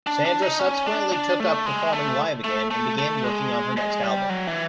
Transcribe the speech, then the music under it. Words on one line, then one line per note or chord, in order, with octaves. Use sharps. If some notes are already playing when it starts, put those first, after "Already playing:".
Sandra subsequently took up performing live again and began working on her next album.
D4
D4
D#4
C#4
D4
D4
A3
G#3
A3
A3
A3
A3
G#3
G#3
G3
F#3
E3